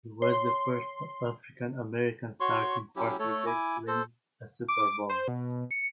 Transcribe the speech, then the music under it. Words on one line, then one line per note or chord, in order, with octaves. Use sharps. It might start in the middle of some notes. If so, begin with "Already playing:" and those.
He was the first African-American starting quarterback to win a Super Bowl.
C#5 C6
F#4 C#5 C6 C#6
F#3 C#4 E4 G4
A3 A4 C#5
E4 G#5 D6
A4 C5
D6
C5
B2
C#7